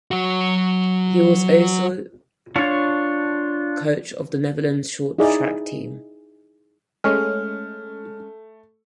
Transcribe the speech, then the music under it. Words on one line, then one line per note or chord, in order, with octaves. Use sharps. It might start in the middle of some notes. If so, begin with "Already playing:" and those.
He was also coach of the Netherlands short track team.
F#3 F#4
D4 F4 C#5
D#4 E4 G#4 D5
G#3 A3 C#4 F6